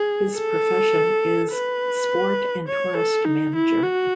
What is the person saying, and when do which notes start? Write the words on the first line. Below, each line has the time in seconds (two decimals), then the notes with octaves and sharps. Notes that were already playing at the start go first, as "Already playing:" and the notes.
His profession is Sport- and Tourist manager.
Already playing: G#4
0.38 A4
1.53 B4
2.68 C#5
2.96 A4
3.25 D#4
3.55 E4
3.83 F#4